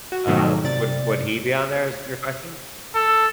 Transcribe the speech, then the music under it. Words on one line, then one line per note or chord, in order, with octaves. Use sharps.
Um, would would he be on there is your question?
F#4
G#2 B2 D#3 F3 F#3 A3
C3 D5 A6
A4